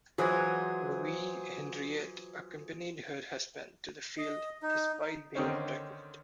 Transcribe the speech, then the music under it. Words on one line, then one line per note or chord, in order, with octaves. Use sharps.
Louise Henriette accompanied her husband to the field despite being pregnant.
E3 F#3 F4 G#4 C5 D#6 G#6
D#5
D#4
D3 D#3 C4 C#4